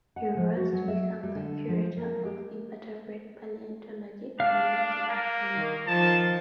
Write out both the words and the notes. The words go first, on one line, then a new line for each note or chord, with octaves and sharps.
He rose to become the curator of Invertebrate Paleontology and elected a Fellow.
F#5
F3
F#4
F#3
E5
G3
D3
F3
A#3
G4
D4 F5
A#3
D#3 A#4
D#3 F3 A5